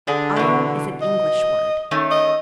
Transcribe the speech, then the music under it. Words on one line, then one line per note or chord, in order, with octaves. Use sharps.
Iron is an English word.
D3 D4 G#4
B2 E3
D#5
D#3 A3 C#4
D#5